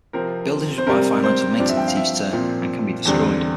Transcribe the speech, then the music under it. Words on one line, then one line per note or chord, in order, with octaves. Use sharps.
Buildings require financial maintenance each turn, and can be destroyed.
C3 F3 C4 A#4
C5
C3 G3 C4 A#4
C5
G2 F3 C4 D5
E5
G5
F5
E5
A#2 F3 C4
E2 D3 G3 C4